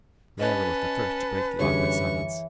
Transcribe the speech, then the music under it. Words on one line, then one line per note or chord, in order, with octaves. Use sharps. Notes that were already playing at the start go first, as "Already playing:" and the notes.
Layelah was the first to break the awkward silence.
C#4 B4 D#5 A5
F#2 D3 E3 G3 G#4 C#5 C#6